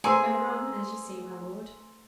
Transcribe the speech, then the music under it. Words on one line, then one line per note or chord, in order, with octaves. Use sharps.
"Everyone, as you see, my lord."
A3 G#4 B4 C5 A#5 C6 E6